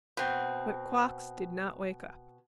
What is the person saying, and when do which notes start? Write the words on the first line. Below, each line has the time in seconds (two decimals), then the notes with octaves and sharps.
But Quox did not wake up.
0.17 B2 C4